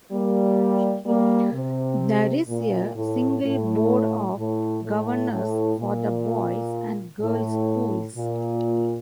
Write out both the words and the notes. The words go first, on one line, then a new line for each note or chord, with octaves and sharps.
There is a single board of governors for the boys' and girls' schools.
G3 A#3
G3 A#3
C3
A#2
A2
A2
A2
A2
A2
A#2
A2
A#2